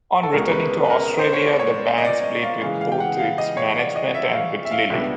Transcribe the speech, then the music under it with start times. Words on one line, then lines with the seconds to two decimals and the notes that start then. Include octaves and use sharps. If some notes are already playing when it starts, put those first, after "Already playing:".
On returning to Australia, the band split with both its management and with Lilley.
0.23 A4
0.33 C#2 B2 G#3 C#4 A#4
0.52 B4
0.72 B4
0.84 B4
0.90 A#4
1.19 C5
1.33 C#5
1.46 D5
1.59 C#5
1.98 D#5
2.05 D5
2.24 D#5
2.43 F5
2.61 C#3 E3 G#3 F5
2.81 F5
2.92 G5
3.00 F#5
3.19 F5
3.38 D#5
3.57 C#5
3.76 D5
3.96 D#5
4.14 E5
4.33 F5
4.65 E5
4.71 F5
4.90 C#2 B2 G3 B3 D4 E5